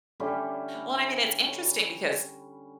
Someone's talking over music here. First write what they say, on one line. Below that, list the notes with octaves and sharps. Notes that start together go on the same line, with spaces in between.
Well, I mean, it's interesting because,
D3 G3 C#4 E4